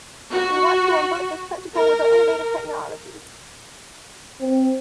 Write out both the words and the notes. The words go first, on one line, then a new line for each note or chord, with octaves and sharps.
We want to invert this principle with our innovative technology.
F#4
A#4
C4